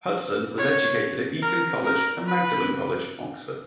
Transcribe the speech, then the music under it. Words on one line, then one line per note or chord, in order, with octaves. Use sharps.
Hudson was educated at Eton College and Magdalen College, Oxford.
C#5
A#4
A#4
B4